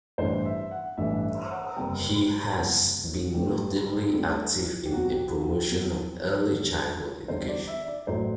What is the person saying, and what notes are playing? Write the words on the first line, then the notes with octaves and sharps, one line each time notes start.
He has been notably active in the promotion of early childhood education.
A1 G2 E3 G3 B3 C5
E5
F#5
A1 G2 E3 G3 B3 E5
E5
F#5
F#1 E2 C3 G3 G5
F#1 E2 C3 G3 F#5
D2 D3 G3 C4 G4
D2 D3 G3 C4
G4
E2 B2 F#3 C4 F#4
G4
F#4
G4
E2 B2 F#3 C4
E2 D3 G3
E2 D3 G3 C5
D5
E5
D5
A1 A2 F#3 C5